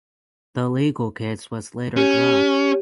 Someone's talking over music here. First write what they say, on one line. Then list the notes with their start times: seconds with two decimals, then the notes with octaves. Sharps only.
The legal case was later dropped.
1.97 C#4 G4